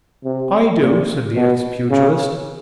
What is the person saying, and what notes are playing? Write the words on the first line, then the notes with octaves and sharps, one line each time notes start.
"I do," said the ex-pugilist.
C3
A#2
B2
C#3